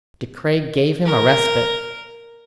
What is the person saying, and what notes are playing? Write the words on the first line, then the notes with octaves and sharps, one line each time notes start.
De Craye gave him a respite.
A#4